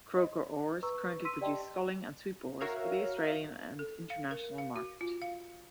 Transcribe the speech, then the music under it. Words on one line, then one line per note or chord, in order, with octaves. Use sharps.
Croker Oars currently produce sculling and sweep oars for the Australian and international market.
D#5
B4 A#5 C#6 E6
C6 E6 B6 D#7
G4 D5 D#5 G5 A5 C6
F#4 A#4 C#5 E5 F5
A4
F5
A#4
F5
F#4
F4
F5